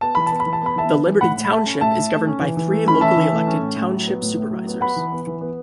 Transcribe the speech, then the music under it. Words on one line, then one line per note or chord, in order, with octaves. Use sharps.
The Liberty Township is governed by three locally elected Township Supervisors.
B3 A5
E3 B5
A5
B3
B5
E3
A5
B3 B5
E3 E5 A5
B3
E3
A2 F#5 B5
A2
B5
A3 E5 A5
C#4
A2 E5 A5
A2
A3
C#4
E3
E3
A3
C#4 B5
E3 E5 A5
E3
A3
C#4
A2
A2
F#3
B3
A2
A2
F#3
B3
B3 F#5 B5
E3
B3
E3
B3